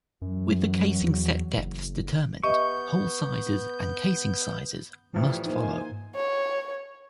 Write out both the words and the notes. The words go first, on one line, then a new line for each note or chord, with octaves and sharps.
With the casing set depths determined, hole sizes and casing sizes must follow.
F#2 E3 F#3
E2
F#1
B3 G4 D#5 E5 C#6 G6
A1 F3 G3 A3
A#3 D#4 C5 G#5
C#5